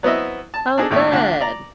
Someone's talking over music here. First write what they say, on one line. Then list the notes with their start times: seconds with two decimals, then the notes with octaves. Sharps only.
Oh, good.
0.03 F#3 B3 C4 E4 D#5 E5
0.54 A5
0.77 C4 D4 D#4 G#4 A4
0.91 G#1 D#2 A2 A3 E5
1.12 D2 D4 F4 F#5
1.41 D5 A#5